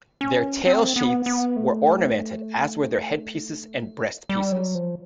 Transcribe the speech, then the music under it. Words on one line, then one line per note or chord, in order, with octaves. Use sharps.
Their tail sheaths were ornamented, as were their headpieces and breastpieces.
C#4
C4
B3
B3
A3
G3
F#3
F3